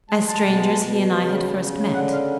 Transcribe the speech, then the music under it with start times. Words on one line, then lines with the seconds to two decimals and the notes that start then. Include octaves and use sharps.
As strangers he and I had first met.
0.09 G#3 A5
0.27 A5
0.46 B2
0.82 B2
1.20 C#3
1.57 C#3
1.93 D3 F#5
2.12 F5